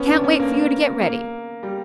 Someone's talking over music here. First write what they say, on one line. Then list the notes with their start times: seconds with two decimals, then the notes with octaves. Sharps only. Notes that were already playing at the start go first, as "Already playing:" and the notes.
"Can't wait for you to get ready."
Already playing: B3 C#4
0.08 D4
0.24 C#4
0.40 A#3
1.01 A#3
1.63 G3